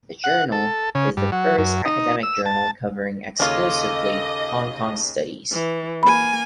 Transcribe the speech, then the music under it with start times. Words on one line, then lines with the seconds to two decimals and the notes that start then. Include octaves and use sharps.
The journal is the first academic journal covering exclusively Hong Kong studies.
0.24 F#5
0.52 A4
0.95 C#3
1.17 G2
1.32 F#3
1.58 F#2
1.85 D#4
2.23 E6
2.46 A5
3.40 D#2 C#3 C#4 F4 A4 D#5 D6
5.52 E3
6.03 A#3 G#5 B5